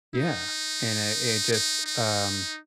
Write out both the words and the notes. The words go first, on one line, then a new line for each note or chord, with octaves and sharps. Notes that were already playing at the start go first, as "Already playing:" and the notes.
Yeah, and it it just, um
D#4
D#4
D#4